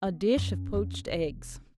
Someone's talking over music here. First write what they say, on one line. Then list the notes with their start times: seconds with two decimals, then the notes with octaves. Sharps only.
A Dish of Poached Eggs.
0.06 B3
0.37 F#2 C#4
0.74 F2 C#4
1.08 E1